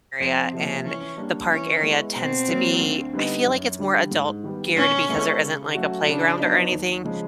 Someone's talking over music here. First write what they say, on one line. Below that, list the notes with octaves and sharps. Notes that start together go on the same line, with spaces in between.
area, and the park area tends to be I feel like it's more adult-geared because there isn't, like, a playground or anything,
F2 C4
C3 F3 A#3
E3 C#4
G3 A#3 D4
E3 C#4
G#3 B3 E4
B2 C4
F#3 A#3
D2
D3 G3 B3 D#4
F#2
D3 G3
G#2
D#3 G3 B3
B2 C#4
G#3 B3 E4 A4
C#3
F#3 A3 C#4 F#4
C#3 D4
F#3 B3 D#4
D#2
C#3 F3 G#3